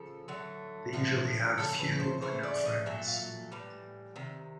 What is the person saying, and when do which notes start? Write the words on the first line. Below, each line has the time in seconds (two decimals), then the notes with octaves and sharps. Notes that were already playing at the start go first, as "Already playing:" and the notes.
They usually have few or no friends.
Already playing: C#3 F3 A4
0.28 D3 F#3 A3
0.93 D3 F3 A3
1.58 C#3 F#3 A3 A4
1.79 B4
2.00 C5
2.21 C#3 E3 A3 C5
2.43 D5
2.65 D#5
2.86 A#2 F#3 A3 E5
3.07 F5
3.51 A2 E3 G3
4.16 C3 D#3